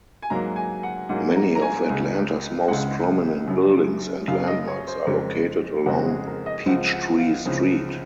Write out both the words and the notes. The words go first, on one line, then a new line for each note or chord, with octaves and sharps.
Many of Atlanta's most prominent buildings and landmarks are located along Peachtree Street.
G#5
G#2 F#3 A#3 A#5
G#5
F#5
G#2 F#3 A#3 F#5
A#5
A#5
G#5
C#2 C#3 G#3
C#2 C#3 G#3 F#5
F#2 C#3 F#3
F#2 C#3 F#3 F5
D#5
C#5
C5
F2 C#3 G#3 C4 A#4
F2 C#3 G#3 C4 F#4
G#4
A#4
D#5
C#2 C#3 F3 C4 F#5
F#5
F5
C#2 C#3 F3 C4